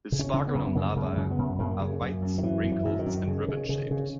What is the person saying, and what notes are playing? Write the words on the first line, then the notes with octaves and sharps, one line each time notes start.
The sparganum larvae are white, wrinkled, and ribbon-shaped.
C#3
C#4
C#3 C#4
B3
F#2
B3
C#3 A#3
F#2 A#3
G#3
C#3
B3
F#2
F#2 A#3
C#3
F#2
F#2
D#3
F#2 E3
F#2
E3
F#2
D#3
F#2
C#3
C#3
C#3
C#3